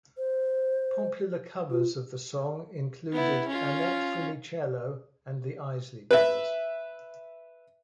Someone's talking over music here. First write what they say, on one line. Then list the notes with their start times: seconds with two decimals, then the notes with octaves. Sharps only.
Popular covers of the song included Annette Funicello, and The Isley Brothers.
0.18 C5
1.71 F4
3.12 B3 E4
3.48 C#4 F4
6.11 B4 E5